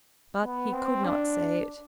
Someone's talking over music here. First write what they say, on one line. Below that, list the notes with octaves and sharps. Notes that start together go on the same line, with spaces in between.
But he could not say it.
B3
C4
D4